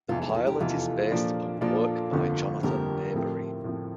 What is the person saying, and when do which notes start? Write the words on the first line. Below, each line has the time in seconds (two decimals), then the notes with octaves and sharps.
The pilot is based upon work by Jonathan Maberry.
0.09 F1 E2 E3 F4 A4
0.22 F4 A4
0.29 A#4
0.34 F4 A4
0.47 G4 A#4
0.60 F1 E2 E3 F4 A4
1.11 A#2 F3 A#3 D4
1.61 A#2 F3 A#3 D4 F4 A4
2.12 G1 F2 D3 F3 A#3
2.63 G1 F2 D3 F3 A#3 G4 A#4
3.14 A2 F3 A3 C4
3.64 A2 F3 A3 C4